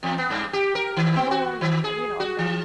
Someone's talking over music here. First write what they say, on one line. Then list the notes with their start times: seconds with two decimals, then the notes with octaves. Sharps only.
home and, you know, I've been
0.03 E2
0.18 B3
0.30 G2
0.53 G4
0.75 A#4
0.97 D#3
1.16 B3
1.31 F#4
1.61 D#3
1.84 G#4
2.20 F#4
2.39 E3